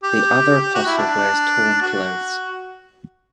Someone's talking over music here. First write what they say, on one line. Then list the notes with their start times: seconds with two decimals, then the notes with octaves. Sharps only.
The other apostle wears torn clothes.
0.03 G4
0.74 F#4
0.86 E4
0.98 D4
1.82 F#4